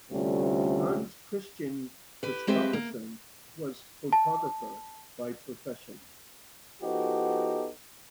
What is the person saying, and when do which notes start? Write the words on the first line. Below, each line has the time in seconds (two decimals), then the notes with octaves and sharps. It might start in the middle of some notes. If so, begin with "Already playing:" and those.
Hans Christian Christoffersen was photographer by profession.
0.11 D2 C3 G3 A3 C#4 F4
2.23 G4 B4
2.47 G#3 C4 G4 B4 E5
2.73 A#3
4.13 A5
6.82 F3 B3 D#4 F#4 G4 A4